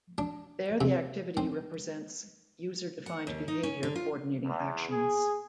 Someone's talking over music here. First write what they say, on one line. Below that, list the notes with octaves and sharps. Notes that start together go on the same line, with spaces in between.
There the activity represents user-defined behavior coordinating actions.
D4
C3
C4
F#5
D#2
D#4
C#4
D3
F4
E2
G#4